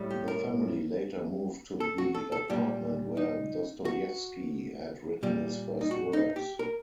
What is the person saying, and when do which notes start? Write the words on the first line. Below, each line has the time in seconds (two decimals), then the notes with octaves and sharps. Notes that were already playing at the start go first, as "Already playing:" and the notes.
The family later moved to the apartment where Dostoyevsky had written his first works.
Already playing: A2 G3
0.10 G4
0.28 A#4
1.80 A4
1.98 F#4
2.15 A4
2.32 A4
2.50 A#2 G3 G4
3.17 D#4
3.85 F#4
5.23 A#2 G3
5.81 D#4
5.91 F#4
6.13 D#4
6.36 G4
6.59 A#4